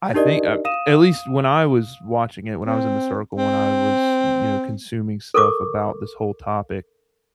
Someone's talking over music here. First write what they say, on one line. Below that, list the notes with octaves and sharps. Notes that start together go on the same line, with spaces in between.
I think uh at least when I was watching it, when I was in the circle, when I was, you know, consuming stuff about this whole topic,
D4 D#4 G4 A#4 D5 D#5
F5 D#6 D#7 E7
C4
C4
A4 A#4 C#6 D6